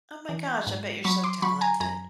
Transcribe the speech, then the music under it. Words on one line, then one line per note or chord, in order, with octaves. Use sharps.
Oh, my gosh. I bet you're so talented.
E3
G#2
F#3 B5 C#6
C6 D6
F#3 B5 C#6
G#5 A#5
F#2 G#5 A#5